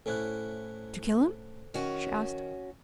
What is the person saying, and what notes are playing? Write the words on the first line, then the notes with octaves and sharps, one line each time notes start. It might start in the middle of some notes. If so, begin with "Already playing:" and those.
"Did you kill him?" she asked.
A2 C#4 E4 A4 C5 F#6
D#3 C#4 F#4